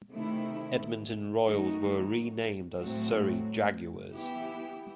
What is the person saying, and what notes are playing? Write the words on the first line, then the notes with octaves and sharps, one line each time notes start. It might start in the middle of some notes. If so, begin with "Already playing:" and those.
Edmonton Royals were renamed as Surrey Jaguars.
C3 D#3 A3 E4
D#3 F#3 A3 D#4 F#4
A2 F#3 A3 C4 F#4
E3 B3 E4 G4